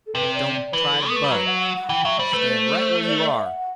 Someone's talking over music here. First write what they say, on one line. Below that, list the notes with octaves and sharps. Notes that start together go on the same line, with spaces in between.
But don't try to budge; stand right where you are.
A4
C3 B4
D5
D5
E3 B4
A4
B3
A3 B4
G3
F#3 B4
F#5
F#5
F#5
E3 G5
F#3 E5
G3 C5
A3 B4
C5
D5
E5
F#5